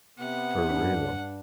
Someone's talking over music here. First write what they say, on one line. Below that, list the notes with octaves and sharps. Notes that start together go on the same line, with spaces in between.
for real.
C3 B3 F#5
G2 D4